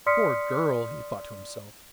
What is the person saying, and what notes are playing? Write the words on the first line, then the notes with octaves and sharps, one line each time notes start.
'Poor girl,' he thought to himself.
D5 C6 D#6 F6 B6 C#7